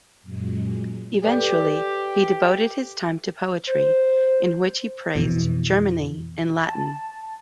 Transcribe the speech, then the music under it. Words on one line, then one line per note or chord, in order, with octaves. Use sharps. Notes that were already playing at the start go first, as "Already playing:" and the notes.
Eventually he devoted his time to poetry, in which he praised Germany in Latin.
F#2 A#2 F#3 G#3
G4 A4 B4 D5
C5
F2 B2 E3
A5